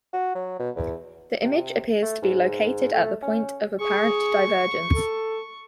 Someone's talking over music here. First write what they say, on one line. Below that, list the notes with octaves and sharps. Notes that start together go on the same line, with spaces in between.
The image appears to be located at the point of apparent divergence.
F#4
F#3
B2
E2
C3
A3
G#2
A3
C#4
G#4 C#6
A4